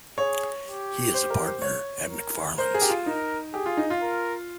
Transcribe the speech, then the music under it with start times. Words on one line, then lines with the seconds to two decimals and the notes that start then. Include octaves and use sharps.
He is a partner at Macfarlanes.
0.18 G#4 C#5
0.66 G4
1.14 C5
1.30 A#4
1.47 C5
1.62 C#5
2.10 A#4
2.57 A#4 C5
2.74 G#4
2.82 G4
2.89 F4
3.06 D#4 A#4
3.54 G4 G#4
3.66 F4
3.77 D#4
3.90 F4
4.02 A#4